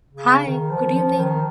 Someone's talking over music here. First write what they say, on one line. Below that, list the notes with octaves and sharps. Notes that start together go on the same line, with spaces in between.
Densely rich cemetery songs.
C#3
D#3
F3
F3
D#3